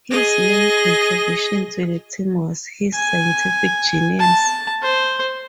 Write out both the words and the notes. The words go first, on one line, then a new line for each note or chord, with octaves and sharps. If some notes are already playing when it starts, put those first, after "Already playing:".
His main contribution to the team was his scientific genius.
G#4 D#5 A#6
G#5
A5
C5